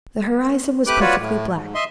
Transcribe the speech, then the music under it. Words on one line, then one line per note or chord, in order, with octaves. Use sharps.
The horizon was perfectly black.
A3 G4 B4 D6 F#6
F4 F#4 B4 C#5 D5
A2
G#2
D#5 E5 C6